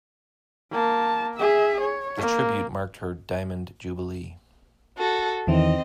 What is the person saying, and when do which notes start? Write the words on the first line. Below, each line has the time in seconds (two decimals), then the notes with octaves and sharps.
The Tribute marked her Diamond Jubilee.
0.71 A#3 A5
1.38 G#4 E5
1.81 C#5
2.18 A#3
4.98 F#4 A4
5.47 E2 D#3 E3 C4 D#5